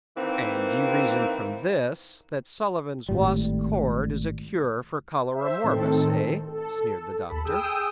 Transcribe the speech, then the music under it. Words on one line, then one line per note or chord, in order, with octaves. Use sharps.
"And you reason from this that Sullivan's 'Lost Chord' is a cure for cholera morbus, eh?" sneered the Doctor.
D#3 E3 A#3 C4
G#1 A2 G3
C5 E5
A2 D#3 C4 A4
A4
D#2 A4 B5
G#4 G5 D#6 E6